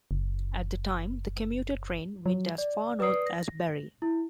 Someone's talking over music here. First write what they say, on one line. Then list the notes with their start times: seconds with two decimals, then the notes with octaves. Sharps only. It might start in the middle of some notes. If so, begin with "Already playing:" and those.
At the time, the commuter train went as far north as Barrie.
0.11 F#1
2.26 F#3
2.58 D5
3.00 B4 D5 D#6 C7
3.26 A#6
4.02 E4